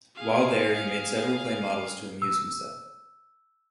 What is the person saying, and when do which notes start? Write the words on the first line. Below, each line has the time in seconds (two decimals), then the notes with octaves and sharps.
While there, he made several clay models to amuse himself.
0.16 G#4 F5
2.22 E6